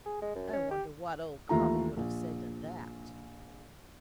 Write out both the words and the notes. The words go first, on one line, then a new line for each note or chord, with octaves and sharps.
I wonder what old Kami would have said to that.'
G#4
G#3
F#2
C#4
G4
D#2 E3 A3 F4 A#5
A#1